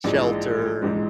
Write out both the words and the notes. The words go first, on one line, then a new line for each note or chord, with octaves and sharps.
shelter, and,
A#1 G#2 E3 G#3
A#1 G#2 E3 G#3